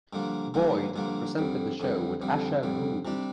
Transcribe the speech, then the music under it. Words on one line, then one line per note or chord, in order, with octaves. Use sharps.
Boyd presented the show with Asher Gould.
G2 D3 F3 A#3
G2 D3 F3 A#3
G2 D3 F3 A#3
F2 D3 G3
F2 D3 G3
F2 D3 G3
F2 D3 G3
C3 G3 D4